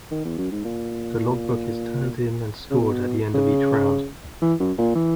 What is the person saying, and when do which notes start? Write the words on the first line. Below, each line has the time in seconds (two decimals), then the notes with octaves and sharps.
The logbook is turned in and scored at the end of each round.
0.11 D#3
0.25 E2
0.38 F#2
0.52 G#2
0.65 A#2
2.71 C#3
2.80 B2
3.34 C#3
4.41 E3
4.60 F#2
4.78 A#2
4.95 E3